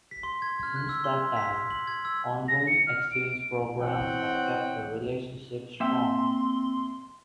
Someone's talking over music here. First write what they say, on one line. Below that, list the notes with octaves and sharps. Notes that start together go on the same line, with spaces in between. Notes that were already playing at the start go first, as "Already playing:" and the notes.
Since that time, ongoing exchange programs have kept the relationship strong.
B6
C6
G#6
F6
F#6
E6
C6
B6
C6
F#7
G#6
E6
A#6
C#7
F6
D7
E3 C4 C#5 F#5 G5
A#3 C4 E5 G5 C6